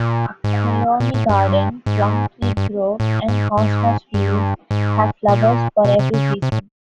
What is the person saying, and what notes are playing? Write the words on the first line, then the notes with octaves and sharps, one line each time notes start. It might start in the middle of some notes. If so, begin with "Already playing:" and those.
A peony garden, plum tree grove and cosmos fields have flowers for every season.
Already playing: A#2
G#2
A#2
A2
G2
G#2
G2
G2
A2
G#2
G#2
G2
G#2
A#2
B2
C3
C#3
C3
A2